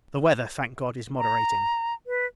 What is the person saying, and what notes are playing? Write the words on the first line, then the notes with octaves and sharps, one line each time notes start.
The weather, thank God, is moderating.
A#5
B4